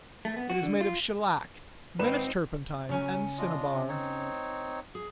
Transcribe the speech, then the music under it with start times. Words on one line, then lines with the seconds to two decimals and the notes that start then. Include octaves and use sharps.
It is made of shellac, Venice turpentine and cinnabar.
0.25 A3
0.37 B3
0.50 F#4
0.63 D3
0.81 F4
1.99 G#1 C4 D#4 B4 E7
2.89 C#3 F#3 C#4 G#5
3.38 D4 F4 D#5
3.88 C4 D#4 C#5
4.95 G#4